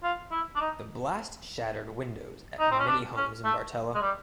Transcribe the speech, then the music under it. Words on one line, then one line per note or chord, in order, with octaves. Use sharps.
The blast shattered windows at many homes in Bartella.
F4
E4
D4
D#4
D#4
C4
C#4
D4
C#4
A3
G#3
G3